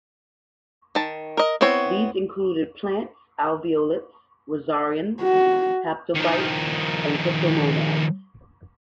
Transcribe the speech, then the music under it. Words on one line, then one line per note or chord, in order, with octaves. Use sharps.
These included plants, alveolates, rhizarians, haptophytes and cryptomonads.
D#3 A5
A#4 D#5
B3 C4 E4 C#5
F#4
D#3 F3